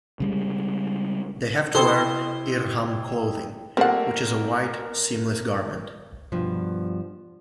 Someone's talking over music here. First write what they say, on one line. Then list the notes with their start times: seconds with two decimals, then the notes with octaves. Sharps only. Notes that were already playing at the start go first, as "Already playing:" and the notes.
They have to wear Ihram clothing, which is a white, seamless garment.
0.20 C#3 G3 G#3
1.75 C3 E4 G4 A4 C5 D#5
3.77 A#2 G3 A3 C4 A#4 F#5
6.32 G2 B2 F3